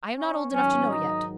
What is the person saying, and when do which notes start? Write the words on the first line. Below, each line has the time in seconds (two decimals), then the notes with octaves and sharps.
"I am not old enough to know yet."
0.17 C#4
0.53 G#2 D#3 F#3 C#4
0.90 D#4